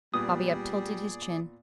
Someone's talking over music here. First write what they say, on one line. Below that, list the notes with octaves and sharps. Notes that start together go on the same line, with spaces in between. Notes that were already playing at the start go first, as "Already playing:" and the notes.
Bobby uptilted his chin.
A#2 G3 B3 G#4 D5 D#6